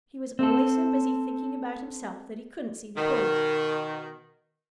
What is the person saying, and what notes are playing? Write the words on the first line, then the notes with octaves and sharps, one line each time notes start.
He was always so busy thinking about himself that he couldn't see the point.
C4 A4
B2 D#3